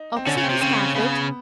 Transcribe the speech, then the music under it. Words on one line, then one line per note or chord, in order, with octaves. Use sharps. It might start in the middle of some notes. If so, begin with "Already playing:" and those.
"Opposite the scaffold?"
Already playing: D#4
C4
D3 C#4
C#3
C4
C3
C#3 C4
C#3 B3